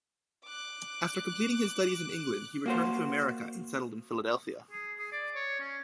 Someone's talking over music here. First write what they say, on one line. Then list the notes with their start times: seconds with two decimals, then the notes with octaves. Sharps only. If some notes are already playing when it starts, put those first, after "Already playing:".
After completing his studies in England he returned to America and settled in Philadelphia.
0.46 D6 F#6
2.66 A#3 F#4 C5
4.71 G#4
4.99 G#4
5.12 D5
5.36 C#5
5.60 C#4